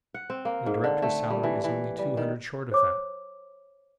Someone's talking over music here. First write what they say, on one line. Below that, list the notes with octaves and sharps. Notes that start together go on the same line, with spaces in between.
The director's salary is only two hundred short of that.
F#5
C4
A#3
G#2
D3
A3
G3
E3
E3
G3
D#3
C5 C#5 D6